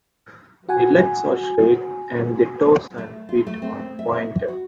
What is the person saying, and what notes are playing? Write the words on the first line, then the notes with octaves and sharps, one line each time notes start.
The legs are straight, and the toes and feet are pointed.
F#4 F#5 G#5
A3
F4
A3
C4
E5
F#4